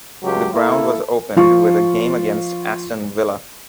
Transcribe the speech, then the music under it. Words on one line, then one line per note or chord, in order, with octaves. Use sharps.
The ground was opened with a game against Aston Villa.
C#2 F#3 G4
A#3 E4 A4
F3 F4 C#6